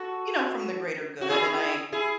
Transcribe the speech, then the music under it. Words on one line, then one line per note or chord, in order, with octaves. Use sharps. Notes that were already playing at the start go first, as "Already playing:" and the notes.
you know, from the greater good, and I
Already playing: F#4 A4
F#4
E4 G#4
E4 G#4